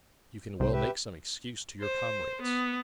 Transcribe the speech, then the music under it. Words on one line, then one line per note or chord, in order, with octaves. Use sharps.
You can well make some excuse to your comrades.
C2 C5
G4 B4 E5
C5
B3